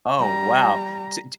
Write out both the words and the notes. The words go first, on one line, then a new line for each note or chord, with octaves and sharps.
Oh, wow, di di
G3 A#5